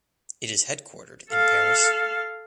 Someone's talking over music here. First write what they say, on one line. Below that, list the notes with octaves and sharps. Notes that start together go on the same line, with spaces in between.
It is headquartered in Paris.
A4 F5